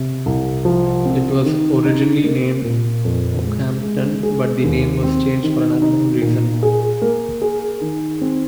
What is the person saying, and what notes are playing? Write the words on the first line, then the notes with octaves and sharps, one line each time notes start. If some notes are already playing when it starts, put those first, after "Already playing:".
It was originally named Oakhampton, but the name was changed for an unknown reason.
Already playing: C3
C2
F3
C4
D#3
D#4
A#3
A#2
F2
G#3
G#3
G#4
D#2
C4
D#3
D#4
A#2
G#4
A#3
G#4
D#3
C4